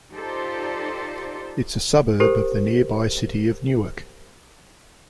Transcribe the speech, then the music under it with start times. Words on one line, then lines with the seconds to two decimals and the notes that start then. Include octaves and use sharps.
It's a suburb of the nearby city of Newark.
0.14 D#4 F4 G4 A4 C5 D5
2.20 G4 A#4 C5